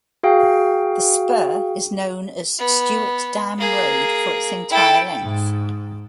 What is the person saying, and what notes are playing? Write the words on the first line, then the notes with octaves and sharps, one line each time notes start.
The spur is known as Stuart Dam Road for its entire length.
F#4 G#4 F5 G5
B3
A#3 G#4
E4 A4 G5
G#2